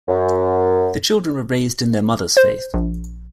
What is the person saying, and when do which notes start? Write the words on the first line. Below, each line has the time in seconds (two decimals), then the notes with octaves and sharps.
The children were raised in their mother's faith.
0.09 F#2
2.37 C5
2.74 A#1